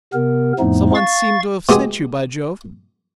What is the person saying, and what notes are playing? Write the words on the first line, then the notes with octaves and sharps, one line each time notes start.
Someone seemed to have sent you, by Jove!
C3 B3 A#4
F2 A2 F3 A3 B3 D#4
F5 C#6 A6
B2 G#3 G4 G#4 G#5 D#6